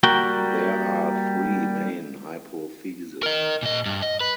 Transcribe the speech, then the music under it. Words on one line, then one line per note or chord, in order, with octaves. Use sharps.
There are three main hypotheses.
G3 A#3 F#4 A#4 G5
A#4 D#5
A#2 D#5
G2
D#5
B4